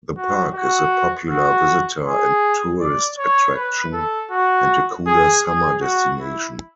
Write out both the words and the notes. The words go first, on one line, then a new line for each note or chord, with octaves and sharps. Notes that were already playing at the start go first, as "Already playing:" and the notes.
The park is a popular visitor and tourist attraction, and a cooler summer destination.
F#4
F#4
F#4
G#4
D5
C#5
B4
A4
F#4
G#4
G#4
F#4
E4